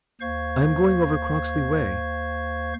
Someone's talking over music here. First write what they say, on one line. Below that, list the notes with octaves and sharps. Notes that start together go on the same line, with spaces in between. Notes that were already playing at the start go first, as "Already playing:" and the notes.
"I am going over Croxley way."
D#2 C5 F5 C#6 G#6